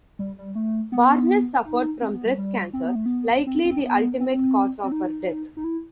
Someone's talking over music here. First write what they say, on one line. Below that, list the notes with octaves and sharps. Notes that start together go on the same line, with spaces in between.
Barnes suffered from breast cancer, likely the ultimate cause of her death.
G3
G3
A3
B3
D#4
C4
B3
G3
G3
C4
B3
A3
B3
C4
C4
B3
C4
C4
D#4
D#4
E4